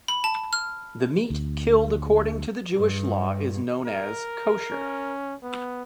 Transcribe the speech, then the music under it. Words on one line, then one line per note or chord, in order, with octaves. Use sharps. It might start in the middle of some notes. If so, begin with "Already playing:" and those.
The meat killed according to the Jewish law is known as kosher.
B5
A5
F6
D2
G2
A#4
C#4
B3